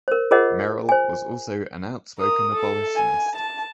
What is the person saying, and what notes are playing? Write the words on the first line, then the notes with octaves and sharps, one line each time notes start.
Merrill was also an outspoken abolitionist.
A#4 C5
F4 G#4 A#4 C5 D#5 F#5
C5 G#5
A#4 D#6
A4
G#5
A5